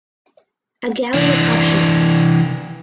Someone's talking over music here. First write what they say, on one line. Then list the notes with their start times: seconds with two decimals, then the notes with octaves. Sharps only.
A galley is optional.
1.14 E3 D4